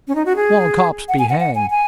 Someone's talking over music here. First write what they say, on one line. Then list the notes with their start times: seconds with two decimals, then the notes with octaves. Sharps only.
Small cops be hanged!
0.08 C#4
0.15 D#4
0.26 F#4
0.36 G#4
1.09 F#5
1.19 G#5
1.30 F#5
1.40 F#5
1.55 G#5
1.71 G#5